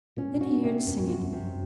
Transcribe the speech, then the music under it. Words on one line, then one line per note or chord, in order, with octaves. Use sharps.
Then he heard singing.
A#2 C#4
A#2
F#4
C3
F2 C#4
G#2
F#2
F#4
F2
C3
F#2